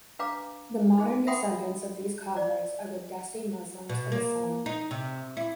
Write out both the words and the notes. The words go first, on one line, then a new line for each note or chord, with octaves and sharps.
The modern descendents of these converts are the Desi Muslims of Assam.
D4 B4 F5 A#5 D6
D#4 G#4
E5 F#5 G5 B5 C6 D#6
D5
B2
A#3
D#4
C3
E4